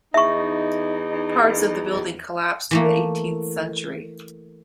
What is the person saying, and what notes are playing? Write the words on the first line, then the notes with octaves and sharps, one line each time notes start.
Parts of the building collapsed in the eighteenth century.
E2 D#4 E5 C#6
E3 A3 A#3